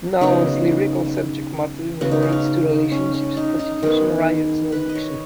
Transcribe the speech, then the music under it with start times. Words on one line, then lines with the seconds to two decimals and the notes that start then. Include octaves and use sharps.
Nowell's lyrical subject matter relates to relationships, prostitution, riots, and addiction.
0.21 C#3 F#3 B3 D#4
2.01 C#3 B3 F#4
2.11 D#4
2.22 C#4
2.32 D#4
2.92 C#4
3.14 C#4
3.37 D#4
3.59 D#4
3.83 D#3 B3 G#4
4.72 B4
4.89 D#5
4.95 C#5